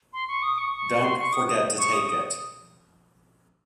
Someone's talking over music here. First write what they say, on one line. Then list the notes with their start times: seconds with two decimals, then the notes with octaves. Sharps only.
Don't forget to take it!
0.13 C6
0.28 C#6
0.43 D#6
0.58 C#6
0.74 C#6
1.04 C6
1.19 C#6
1.33 D#6
1.48 D#6
1.78 C#6
1.93 D#6
2.08 D#6